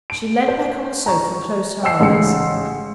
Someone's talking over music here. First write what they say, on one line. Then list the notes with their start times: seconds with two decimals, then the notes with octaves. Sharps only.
She leant back on the sofa, and closed her eyes.
0.10 D7
0.48 C5
1.06 A#5 C#6
1.83 D#5 F#5 G5 E6 C7
2.00 A1 G#2 C#3 C#7